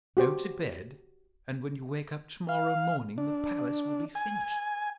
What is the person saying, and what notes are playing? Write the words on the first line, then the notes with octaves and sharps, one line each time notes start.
Go to bed, and when you wake up to-morrow morning the palace will be finished.
F#4 G4 C5
F5
D4
G#5